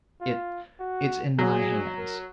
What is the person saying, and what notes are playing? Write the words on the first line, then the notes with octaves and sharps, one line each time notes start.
It--it's in my hands.
F4
F#4
F#3 G#4
A#4